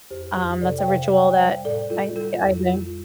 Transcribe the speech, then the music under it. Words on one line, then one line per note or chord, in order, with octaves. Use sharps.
um, that's a ritual that I I do.
F2 G4 C5
F2 G4 C5
C3 A4 D5
G5
C3 C5 F5
G3 D5 G5
G5
G3 C5 F5
A2 A4 D5
G3 F4 A4
G3 F4 A4
F2 F4
G3 F4